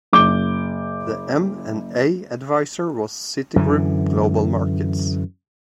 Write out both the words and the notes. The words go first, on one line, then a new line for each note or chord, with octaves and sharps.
The M and A advisor was Citigroup Global Markets.
F#1 D6 G6 G7
F#2 D3 E3